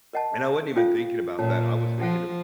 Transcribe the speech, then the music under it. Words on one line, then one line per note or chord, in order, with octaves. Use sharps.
and I wasn't even thinking about that. I was thinking of
A#4 D#5 F#5 A5
C#4 F4 A4 C5 F5
A#2 C#4 A4 C#5 A5
F3 A4 C5 F#5